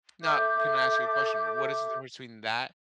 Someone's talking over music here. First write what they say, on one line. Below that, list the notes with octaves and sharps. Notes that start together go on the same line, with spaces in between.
Now, can I ask you a question? What is the difference between that
A4 E5 D6 G6